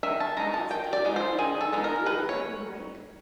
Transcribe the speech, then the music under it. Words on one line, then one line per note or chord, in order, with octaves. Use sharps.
I'll stay here in England to do it, if you like.
D#3 E5
A5
G#3 B3 D#4 A#5
A5
D#3 G5
D5
G#3 B3 D#4
C5
D#3 G#4
A4
G#3 B3 D#4
A#4
D#3 B4
C#5